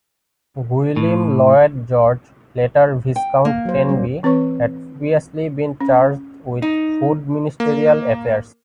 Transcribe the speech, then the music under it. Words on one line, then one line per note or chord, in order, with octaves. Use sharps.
Gwilym Lloyd George "later" Viscount Tenby had previously been charged with Food ministerial affairs.
A2
G5
A#3
F#3 C5
G3 C#4
E3 C4 B4 C#5 C#6
C#4
D#4
A#3